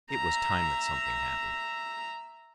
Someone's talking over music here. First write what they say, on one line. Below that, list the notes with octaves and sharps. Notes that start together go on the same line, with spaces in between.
It was time that something happened.
E5 A#5